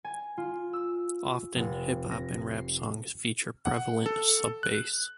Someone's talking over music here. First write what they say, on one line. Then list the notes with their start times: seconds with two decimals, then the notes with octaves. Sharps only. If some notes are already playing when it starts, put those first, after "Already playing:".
Often, hip hop and rap songs feature prevalent sub-bass.
0.04 G#5
0.38 F4
0.73 E6
1.56 F1
2.11 A#6
2.53 C7
3.66 F#5
4.06 A4
4.63 F#6